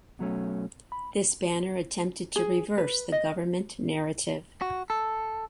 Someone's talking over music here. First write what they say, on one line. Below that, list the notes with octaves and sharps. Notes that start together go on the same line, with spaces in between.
This banner attempted to reverse the government narrative.
B2 F#3 A3 C#4
B5
G#4
B4
D#5
F#4
A4